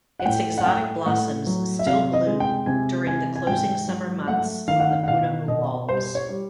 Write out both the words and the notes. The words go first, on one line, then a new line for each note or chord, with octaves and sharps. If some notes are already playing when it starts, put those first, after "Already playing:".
Its exotic blossoms still bloom during the closing summer months on the Punahou walls.
F#5
A2 G5
F#5
A3 G5
A2 F#5
F#3
E5
C3 F5
D#5
G#3
G5
C3 G#5
E3 G#5
G#5
G#2 G5
F#3
A3 F#5
D#3 F5
F#5
F5
F#5
B2 F5
B2 D#5
G3 C5
C#5
G3